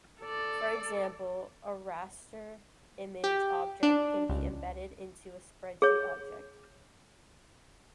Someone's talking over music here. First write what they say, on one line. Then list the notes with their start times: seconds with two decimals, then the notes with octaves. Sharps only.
For example, a raster image object can be embedded into a spreadsheet object.
0.21 A4 D5
3.24 G4
3.83 D4
4.29 C#2
5.82 G#4 C#5